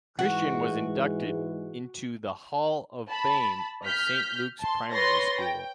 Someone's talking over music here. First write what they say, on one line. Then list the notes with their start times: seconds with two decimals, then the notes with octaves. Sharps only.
Christian was inducted into the Hall of Fame of St Luke’s Primary School.
0.19 G#2 E3 G#3 F#4
3.08 A5 B5
3.85 F6 G6 B6
4.59 A5 C6
4.91 B4 C#5 C6 A6 A#6
5.42 G5